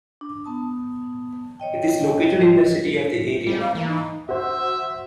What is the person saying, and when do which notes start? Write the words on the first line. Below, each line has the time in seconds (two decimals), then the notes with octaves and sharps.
It is located in the city of the area.
0.21 D4
0.44 B3 A5 D#6
1.60 C#5 D#5 G5
3.47 G3
3.61 F5
3.75 E3 A#3
3.87 D#4
4.29 F#4 C5 E5